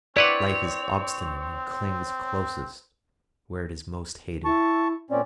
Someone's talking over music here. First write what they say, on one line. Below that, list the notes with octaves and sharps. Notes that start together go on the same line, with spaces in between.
Life is obstinate and clings closest where it is most hated.
C4 E4 B4 C#5 D5 F#5
E4 A5 C#6
A#2 C4 C#4 D5